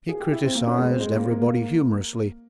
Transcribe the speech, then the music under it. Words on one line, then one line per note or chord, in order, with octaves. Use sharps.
He criticised everybody humorously.
G#4
G4
E4
C4
A#3
C#4
G#3
C4
G#3
A#3
A#3
A#3